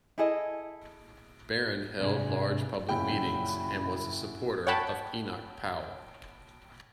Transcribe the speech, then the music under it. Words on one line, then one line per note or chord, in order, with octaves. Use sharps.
Baron held large public meetings and was a supporter of Enoch Powell.
E4 G#4 A4 D#5
G#2 C3 D4 G#4
F#2 A#2 C#3 C#4 E4 F#4 G5 B5
C#5 F#5 G5 A5 B5